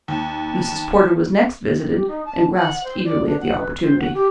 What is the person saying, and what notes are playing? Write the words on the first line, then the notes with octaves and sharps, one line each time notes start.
Mrs. Porter was next visited and grasped eagerly at the opportunity.
D#2 A5
G4
D#4
A5
F#5
C5
D5
D4
F#5
B4
C5
F#5
G4